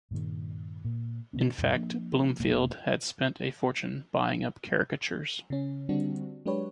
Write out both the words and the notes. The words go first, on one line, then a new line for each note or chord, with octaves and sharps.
In fact Bloomfield had spent a fortune buying up caricatures.
G2 A#2 D#3
A#2
B2 D3 B3 C#4
E2 G2 A#2
F3 A#3 D4
F1 B2 A3 A#3
C#3 C#4
D3 G3 C4 D4 F#4
F#3 G#3 D4 G4 B4 C#5